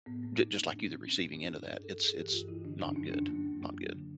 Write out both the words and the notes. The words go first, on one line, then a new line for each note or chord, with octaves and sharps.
ju just like you, the receiving end of that, it's it's not good, not good.
A2 B3
A2 A#3
F#3 D#4
A2 D4
F#3
A2 C4
F#3 C#4
A2 D4
G2 D#4
G2 E4
G2 G#4
G2 A4
G2 G#4
E3 G4
G2 F4
E3 E4
D3 D4
F#2 D#4
C#4
F#3 D4
F#2 D4
F#3 A#3
F#2
F#2
F#3
D3